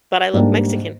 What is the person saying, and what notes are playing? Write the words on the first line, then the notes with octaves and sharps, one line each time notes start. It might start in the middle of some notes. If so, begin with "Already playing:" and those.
But I look Mexican.
G#2 G3 A#3 D4 G4